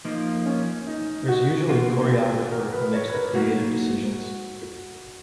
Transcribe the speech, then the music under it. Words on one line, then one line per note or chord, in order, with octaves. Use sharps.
There is usually a choreographer who makes the creative decisions.
F3 A#3 D#4 F4
C#4
D#4
F#4
B2 A#3 F4 F#4
G#4
A#4
B4
C#5
B4
A#4
F#3 A#3 D#4 F#4